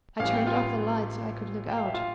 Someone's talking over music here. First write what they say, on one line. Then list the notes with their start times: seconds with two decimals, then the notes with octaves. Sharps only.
I turned off the light so I could look out.
0.20 A1 A2 E3 G3 F5
0.34 G5
0.46 F4 F5
1.70 G5
1.78 F5
1.86 E5
1.94 F4 F5